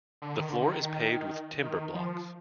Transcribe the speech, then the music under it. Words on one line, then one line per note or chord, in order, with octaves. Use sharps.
The floor is paved with timber blocks.
D3
D#3
D3
D3
D#3
D#3
F3